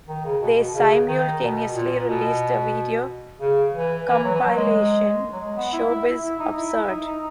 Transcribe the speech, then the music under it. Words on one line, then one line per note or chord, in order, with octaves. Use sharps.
They simultaneously released a video compilation, "Showbiz Absurd".
D#3
C#3
B2
B2
C#3
D#3
B2
A#2
B2
C#3
E3
E3
F#3
E3
F#3
G#3
F#3
G#3
B3
E4
E4
E4
E4
D#4
E4
E4
D#4
D#4